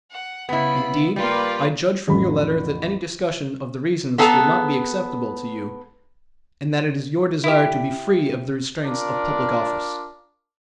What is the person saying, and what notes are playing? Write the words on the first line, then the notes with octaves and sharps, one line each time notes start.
Indeed, I judge from your letter that any discussion of the reasons would not be acceptable to you and that it is your desire to be free of the restraints of public office.
F#5
C#3 B3 E4 B5
G3 A#3 F4 B4
A1 F2 B5
B3 G#4 A4 B4 G#5 A#5
E4 G4
D4 F4 A#4 D5